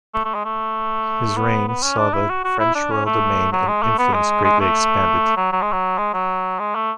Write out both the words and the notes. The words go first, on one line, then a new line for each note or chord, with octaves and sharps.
His reign saw the French royal domain and influence greatly expanded.
A3
A3
G#3
A3
B3
B3
C#4
D4
E4
F#4
F#4
E4
D4
C#4
A3
F#3
G#3
A3
B3
G#3
G#3
A3
F#3
F#3
G#3
F#3
G#3
F#3
G#3
A3